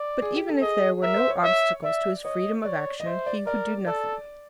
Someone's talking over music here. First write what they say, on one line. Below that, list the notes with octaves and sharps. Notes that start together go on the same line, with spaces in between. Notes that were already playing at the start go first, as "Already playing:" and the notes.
But even if there were no obstacles to his freedom of action he would do nothing.
Already playing: D5
G#4
G4
A4
G#4 D#5
A#4 E5
C5
C#5
C#5 E5
D5 E5
C#5 D#5
C#5 D5
D#5
C5 E5
D5
A#4 D5
A4 D5